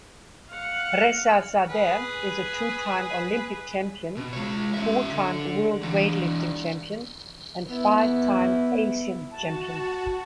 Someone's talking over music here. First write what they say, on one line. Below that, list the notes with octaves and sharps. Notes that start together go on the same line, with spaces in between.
Rezazadeh is a two-time Olympic champion, four-time World Weightlifting champion, and five-time Asian champion.
F5 F#5
G#4 B4
B2
G#3 C#5
C#4 E5
D3
E3 D4
B3 E4
F#4 A5